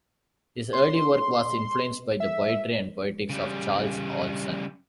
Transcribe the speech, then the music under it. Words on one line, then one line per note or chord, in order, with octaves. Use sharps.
His early work was influenced by the poetry and poetics of Charles Olson.
C6
E5
C#3 G3